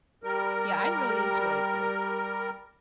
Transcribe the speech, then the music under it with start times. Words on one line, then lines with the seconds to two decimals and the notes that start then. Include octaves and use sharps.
yeah, I really enjoyed this.
0.23 G3 A#4